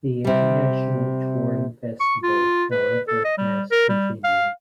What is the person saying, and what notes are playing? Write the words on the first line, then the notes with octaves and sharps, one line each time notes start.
The international touring festival, however, has continued.
C3 G3
C#6
F4
B4
A4
D#5
G3
A#4
G3
F5